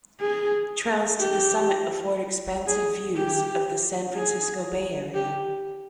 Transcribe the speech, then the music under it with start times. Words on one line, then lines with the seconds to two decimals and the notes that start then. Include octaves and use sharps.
Trails to the summit afford expansive views of the San Francisco Bay Area.
0.20 G#4
1.19 G4
2.67 G#4
3.16 G4
4.15 G#4
5.14 G4